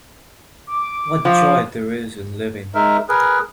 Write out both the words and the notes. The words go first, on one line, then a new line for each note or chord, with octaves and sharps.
What joy there is in living.
D6
F3
G#3 D#4 A#4 E5
G#4 A#4 B4